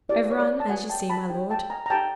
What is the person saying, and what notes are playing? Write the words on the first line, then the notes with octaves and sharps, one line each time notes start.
"Everyone, as you see, my lord."
E4 G4 B4 D5
C#5
D5
A5
F#4 B4 F#5 G#5
G5 A5
A5 B5
D#4 G4 C5 G5 A5
G5 A5
G#5 A#5
A#5
D#4 G4 C5 G5 A5